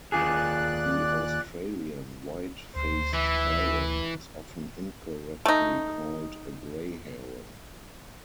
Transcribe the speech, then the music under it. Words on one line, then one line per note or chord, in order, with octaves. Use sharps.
The Australian white-faced heron is often incorrectly called a grey heron.
D#2 F4 G#4 D5 F#6
D2 C5
E3 E5
A3 D#4